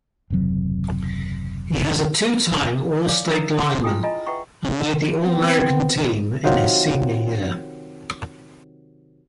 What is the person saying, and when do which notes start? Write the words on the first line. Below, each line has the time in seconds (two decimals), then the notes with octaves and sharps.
He was a two-time all-state lineman, and made the All-America team his senior year.
0.30 F#1 D#2 C3 F#3
3.07 C#5 D5 F5 G#5 D6
3.30 D4 A4 A#4 A#5 E6
3.57 A4 C6
3.84 E4 F4 G#4 G5 G#5 D#6
4.03 F4 D#5 G#5 A#5 B5
4.26 B4 E5 F#5 G5 A#5 C#6
5.26 B3 C4
6.44 C3 D#3 F#3 F4